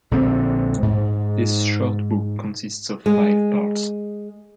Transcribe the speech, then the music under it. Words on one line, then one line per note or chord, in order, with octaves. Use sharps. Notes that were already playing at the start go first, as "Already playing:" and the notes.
This short book consists of five parts.
A#1 D3 C4
G#2
G#3